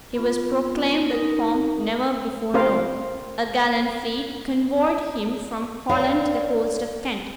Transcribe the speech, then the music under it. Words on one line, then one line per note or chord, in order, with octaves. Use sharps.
He was proclaimed with pomp never before known. A gallant fleet convoyed him from Holland to the coast of Kent.
B3 F4
D#4 A#4
C4 A#4 C5 F5
A#4 C#5 D5 F5